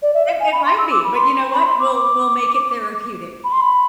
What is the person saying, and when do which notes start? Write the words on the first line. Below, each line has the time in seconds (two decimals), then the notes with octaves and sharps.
It it might be, but you know what, we'll we'll make it therapeutic,
0.02 D5
0.14 E5
0.27 F5
0.40 G#5
0.52 B5
0.65 C6
0.78 E6
0.91 D6
1.04 B5
1.16 C6
1.54 B5
1.66 C6
1.79 D6
1.92 D6
3.44 B5
3.52 C6
3.61 B5